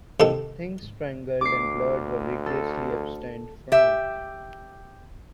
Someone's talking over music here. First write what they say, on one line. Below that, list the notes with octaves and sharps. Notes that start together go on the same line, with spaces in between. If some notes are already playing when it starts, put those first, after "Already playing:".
"Things strangled and blood" were rigorously abstained from.
C3 D#3 A4
D2 D6 C7
A4
G4 E5